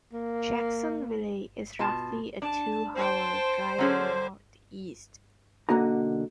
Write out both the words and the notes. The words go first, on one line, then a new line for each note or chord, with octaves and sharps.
Jacksonville is roughly a two-hour drive northeast.
A#3
B2 F4 A5
D4 A5
C5 G5 A5
D3 F#3 C#4 G#4
B1 D3 A#3 F#4 D#5 A#5